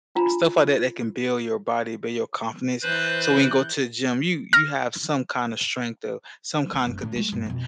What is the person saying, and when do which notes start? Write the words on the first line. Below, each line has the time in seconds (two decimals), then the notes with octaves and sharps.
stuff like that that can build your body, build your confidence. So when you go to the gym, you you have some kinda strength or some kinda conditioning.
0.15 D4 F4 A#5 B5
2.82 E3 B4 C5 F#6 G6
4.53 F6 A#6
6.73 D2
6.87 F#1
7.01 A2 D3
7.16 G3 A3
7.32 G2 B3
7.46 F2 B2